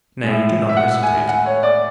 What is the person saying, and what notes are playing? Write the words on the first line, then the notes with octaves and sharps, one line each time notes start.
Nay, do not hesitate.
A2 G#3
E5
F#5
G#5
G#5
F#5
C#5
D5